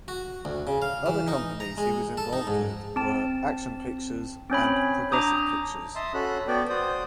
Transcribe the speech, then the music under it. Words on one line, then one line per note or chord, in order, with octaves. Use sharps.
Other companies he was involved with were Action Pictures and Progressive Pictures.
F#4
D2
C#3
F5
E3
D#4
A#5
G#3
A4
D#4
G#2
C4 A5
C4 C#4 C#5 B5
D4 A#5 D6 D#6 G6
D#5 E5 A5 C6 D#6 E6
C#4 F#4 A4 B5 F#6
B3 F#4 D5 G5
F#4 C5 D5 D#6 G6